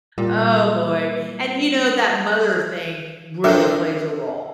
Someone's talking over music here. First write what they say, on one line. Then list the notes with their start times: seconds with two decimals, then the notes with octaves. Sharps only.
Oh boy, and, you know, that mother thing really plays a role,
0.18 A#2 G3
3.44 C4 D4 A4 A#4 C5 E5 D6